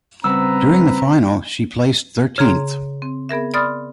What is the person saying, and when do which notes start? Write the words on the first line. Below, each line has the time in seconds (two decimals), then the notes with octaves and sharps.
During the final she placed thirteenth.
0.24 C#3 G3 C4 B4 F#5 A#5 E6
2.38 C#3 G#4 A#5 C6
3.02 C4
3.29 B3 G#4 A#4 E5
3.54 D5 B5 C6 D#6 F6 A6